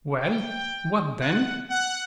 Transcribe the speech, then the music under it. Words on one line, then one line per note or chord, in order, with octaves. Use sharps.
"Well, what then?"
G5
F#5
F#5